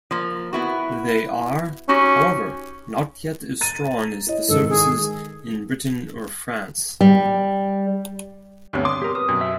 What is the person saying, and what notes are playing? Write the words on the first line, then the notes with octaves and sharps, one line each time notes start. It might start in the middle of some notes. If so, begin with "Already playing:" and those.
They are, however, not yet as strong as the services in Britain or France.
F3 A#3
B3 E4 F#4
C#4 D#4 F#4 G4
A#5 A6 D#7
E4 C#5 D#5
G#2 D#3 A4
G#4
G3
D2 G2 G3 B3 C4 C#5
C6 D6 D#6
G4 A#4
B4 D#6
F#2 B2 C#4
E5